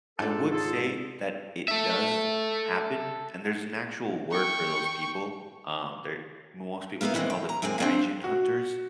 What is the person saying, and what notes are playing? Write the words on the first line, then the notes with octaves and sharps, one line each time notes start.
I would say that it does happen, and there's an actual word for those people. Um, they're most people just call them "gaijin hunters."
G#2 D4 F4 A4
G#4 A4
A4 E5
G5 C#6
A#3 B3 E4 E5 F5
D#3 E3 G#3 C4
G5
A#5
F#2 G#3 C4 G5 G#5
A#3 C4 D4
F#4